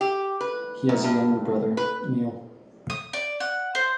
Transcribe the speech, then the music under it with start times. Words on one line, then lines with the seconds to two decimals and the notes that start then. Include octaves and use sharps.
He has a younger brother, Neil.
0.01 G4
0.41 B4
0.89 F#2
1.04 G2
1.77 B4
2.90 D#6
3.13 D5
3.40 F#5
3.75 C5